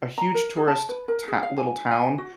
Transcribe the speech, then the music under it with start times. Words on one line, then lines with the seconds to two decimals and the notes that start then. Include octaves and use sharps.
a huge tourist, eh, tow little town,
0.18 A#5
0.34 A#4
0.56 G#4
0.68 A5
0.89 B4
1.08 A#4
1.28 G#4
1.43 F5
1.58 G#5
1.91 G#5
2.18 F#4